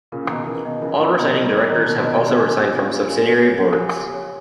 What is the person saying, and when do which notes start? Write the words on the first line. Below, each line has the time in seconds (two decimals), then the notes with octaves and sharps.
All resigning directors have also resigned from subsidiary boards.
0.12 A#2 C#3 A#4
0.25 E3
0.29 B2 D#3 A#5
0.47 C#3 E3 A#4
0.64 B2 D#3 D#5
0.82 C#3 E3 A#4
0.99 A#2 C#3 A#5
1.17 B2 D#3 A#4
1.34 D#5
1.43 D#3 G3
1.53 A#4
1.70 D#3 A#5
1.77 E3
1.85 B2 D#3 A#4
2.05 D#5
2.21 G4
2.39 G#5
2.56 G4
2.74 A#2 C#3 C#5
2.91 G4
3.10 G#5
3.26 G4
3.44 C#5
3.61 G4
3.78 G#5
3.96 G4
4.14 C#5